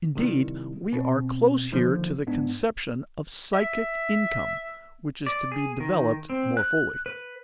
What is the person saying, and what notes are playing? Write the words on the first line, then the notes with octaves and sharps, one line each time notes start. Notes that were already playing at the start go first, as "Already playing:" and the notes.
Indeed, we are close here to the conception of psychic income which is to be developed more fully.
C3 D#3 G3 E4
B2 C4
D3 D#3 F3 A#3
G#2 B3 D4
E5
D5
G#4
D#3
C4
F#6
B4